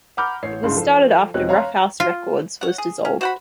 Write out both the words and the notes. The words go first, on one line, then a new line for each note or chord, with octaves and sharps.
It was started after Ruffhouse Records was dissolved.
F#5 A#5 B5 D6 F6 G6
A1 C#5 C7
C2 G2 C#3 G#3 C6
F3 A4
E1 F#3 C4 D#4 C#5 F#6
C#5 F5 A#5 C6
F4
C#5 F#5
G#4
C#4
F#4 C5 F#5 B5